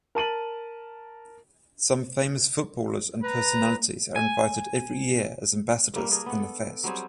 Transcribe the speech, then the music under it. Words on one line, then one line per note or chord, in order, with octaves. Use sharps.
Some famous footballers and personalities are invited every year as ambassadors in the fest.
A#4 A5 D#7 F#7
B4 A#5
G#5
G2 G3 A#3
A#3 D4 G#4
B3 F#5
A4
F#3 G3 C4 G#4